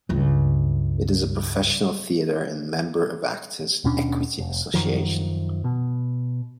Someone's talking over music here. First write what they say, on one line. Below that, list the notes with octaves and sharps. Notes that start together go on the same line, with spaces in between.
It is a professional theatre and member of Actors' Equity Association.
C#2 G2
D#2 B2 C#4 D4
F1
F#2 D#3 F3
B2